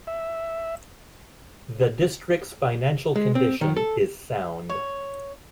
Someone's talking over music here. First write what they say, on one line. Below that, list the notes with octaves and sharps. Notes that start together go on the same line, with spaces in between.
The District's financial condition is sound.
E5
G#3
C4
D#3
A4
C#5